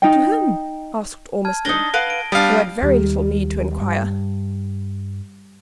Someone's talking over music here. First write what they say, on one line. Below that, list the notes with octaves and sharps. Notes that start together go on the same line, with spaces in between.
"To whom?" asked Ormiston, who had very little need to inquire.
D#4 D#5 G5
A5 F6 G#6
D4 D#4 A#6 G7
B4 F5 F#5 D7
D7
G3 B3 D4 F5 D#7
D#2 G3 G4
G2